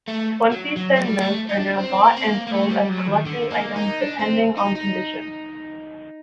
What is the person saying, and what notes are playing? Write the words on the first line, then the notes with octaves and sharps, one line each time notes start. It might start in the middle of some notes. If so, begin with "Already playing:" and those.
Twenty sen notes are now bought and sold as collectors items depending on condition.
A3
F#3
F#3
A3
G3
A3
D#4
D4
C4
A#3
C4
A#3
A#3
A3
G3
F#3
D#3
D3
A#3
D#4
D4
C4
D#4
D#4